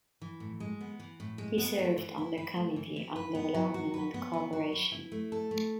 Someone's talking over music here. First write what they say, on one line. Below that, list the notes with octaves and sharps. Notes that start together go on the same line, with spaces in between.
He served on the Committee on Development and Cooperation.
E3
A2
G#3
B3
E3
A2
G#3
B3
A3
E3
E4
B4
A3
E3
E4
B4
B3
F#3
F#4
B4
B3
F#3
F#4
B4
E4
A3
A4
A3